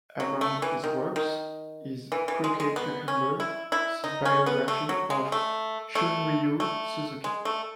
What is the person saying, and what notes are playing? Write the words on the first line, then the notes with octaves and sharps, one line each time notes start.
Among his works is "Crooked Cucumber", the biography of Shunryu Suzuki.
F#3
A3
E3
D#3
D#3
E3
E3
G#3
G#3
B3
C#4
E4
E4
D#4
C#4
B3
A3
F#3
G#3
A3
A3
A3
G#3
A3